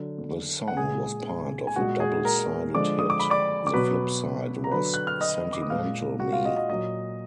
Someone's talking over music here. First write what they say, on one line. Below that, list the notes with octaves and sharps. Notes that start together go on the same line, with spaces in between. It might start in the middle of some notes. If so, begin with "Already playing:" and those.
The song was part of a double-sided hit; the flip side was Sentimental Me.
Already playing: D3 F#3
F#5
A#2 G#3 G#4 G#5
G#5
A#2 G#3 F#4 F#5
G#4 G#5
A#4 A#5
D3 F3 G#3 D5 D6
D#6
D6
B5
D5 D6
D6
B2 F#3 B4 B5
A#5
D3 F#3 B4 B5
F#6
F6
D#5 D#6
D6
D#6
A#2 G#3 F5 F6
F#4 F#5
F4 F5
D#5
D#5
A#2 F#3 D#5